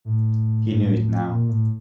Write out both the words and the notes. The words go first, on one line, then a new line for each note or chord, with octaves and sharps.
He knew it now.
A2
A#2
A2